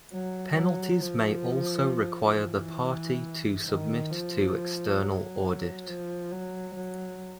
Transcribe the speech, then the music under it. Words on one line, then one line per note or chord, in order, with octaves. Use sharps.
Penalties may also require the party to submit to external audit.
F#3
F#3
F3
E3
D#3
F3
F#3
F3
F#3
F#3